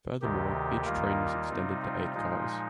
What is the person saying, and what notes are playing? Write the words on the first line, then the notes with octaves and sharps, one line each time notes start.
Furthermore, each train was extended to eight cars.
D2 C3 D#3 G4
D#2 D#3 G3 A#3 F4
C3 G3 C4 D#4
F4
A#2 F3 G#3 D#4